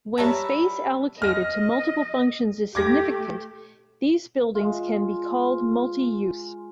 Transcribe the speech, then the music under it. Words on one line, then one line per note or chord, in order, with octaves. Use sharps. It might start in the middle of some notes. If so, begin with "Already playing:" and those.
When space allocated to multiple functions is significant, these buildings can be called multi-use.
G3 B4 C#5 E5 A5 A#5
D#5 F6 A#6
A3 G4 D6 G#6 A#6
G#3 F4